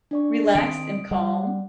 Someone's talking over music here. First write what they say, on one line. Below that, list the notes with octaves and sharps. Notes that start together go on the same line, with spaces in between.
relaxed and calm.
D4 D5 C#6
D#3 C4 D#6 D7
G3 F#5